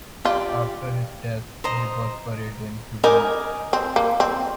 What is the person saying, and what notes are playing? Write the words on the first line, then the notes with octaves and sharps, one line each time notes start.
After his death, he was buried in Kubuna.
F4 G4 D5 G5
C5 D#5 A#5
D#4 A#4 D#5 G#5 D6
C4
A#3
C4